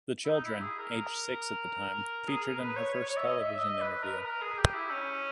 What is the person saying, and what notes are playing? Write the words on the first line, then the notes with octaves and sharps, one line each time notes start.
The children, aged six at the time, featured in her first television interview.
E4
D#4
E4
G#4
A#4
G#4
A#4
B4
C#5
C#5
C#5
E5
D#5
E5
D#5
B4
A#4
B4
A#4
G#4
G4
E4
C#4